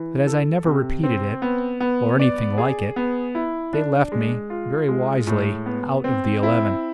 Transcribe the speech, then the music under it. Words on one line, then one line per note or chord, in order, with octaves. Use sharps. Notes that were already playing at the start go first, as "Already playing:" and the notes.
But as I never repeated it--or anything like it--they left me, very wisely, out of the eleven.
Already playing: E3
A4
C3
C4
B3
B3
D5
G#4
B3
E4
D4
G#3
F4
G#3
A2
B3
C4
E4